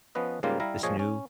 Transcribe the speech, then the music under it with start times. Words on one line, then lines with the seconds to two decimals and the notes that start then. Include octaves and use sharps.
this new
0.15 F3 B3 C#4 B4 D#5
0.43 G#2 C#3 G3 A#3 F4 A#4
0.60 G3 E4 F5 A#5
0.83 A#2 F3 G#4 C#5 D#5
0.99 C#4